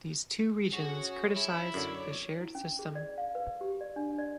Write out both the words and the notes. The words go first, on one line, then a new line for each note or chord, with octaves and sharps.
These two regions criticized the shared system.
C#4 F#4 G#4 C#5
E4
F#2 D3 C#5 D5
E4
C#4
G#4
D5
F5
B4
G4
D5
D4
D5